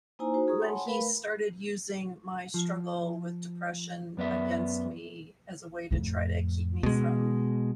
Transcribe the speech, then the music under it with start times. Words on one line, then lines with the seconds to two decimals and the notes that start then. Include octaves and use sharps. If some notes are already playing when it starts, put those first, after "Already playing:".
when he started using my struggle with depression against me as a way to try to keep me from
0.19 A#3 D#4 E4 C5 G#5 A#5
0.34 D#4 F#4 C5
0.47 F4 G#4 A#5 C#6 D#6
0.62 C#5 F#5 G#5 A5 B5 C6
0.85 A3 A#4 B4 F5 B5
2.54 F3
4.17 F#2 B3 D5 E5
5.91 F2 A2
6.83 B2 G#3 C#4